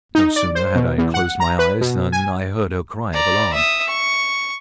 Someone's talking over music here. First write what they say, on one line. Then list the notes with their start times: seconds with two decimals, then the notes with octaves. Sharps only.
No sooner had I closed my eyes than I heard her cry of alarm.
0.15 D#4
0.36 D5
0.55 C5
0.76 B2
0.98 E2
1.14 F#5
1.40 A#5
1.59 B4
1.81 B2
2.12 G#5
3.13 D5 A#5
3.53 E5 D#6
3.88 C#6